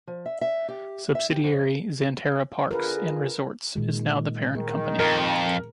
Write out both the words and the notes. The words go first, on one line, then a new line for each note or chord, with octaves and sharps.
Subsidiary Xanterra Parks and Resorts is now the parent company.
F3
E5
E5
G4
E5
G4
F2
D3 F4 G#4 A#4 B4
A#2 D#3 G#3
D#3 G#4
F2 A#4